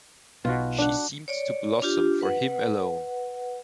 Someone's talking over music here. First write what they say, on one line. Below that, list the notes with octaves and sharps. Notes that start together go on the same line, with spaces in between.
She seemed to blossom for him alone.
B1 B2 F4 F#4
D4 F#5
C#5 D5
D4 F4 G4
B4 F#5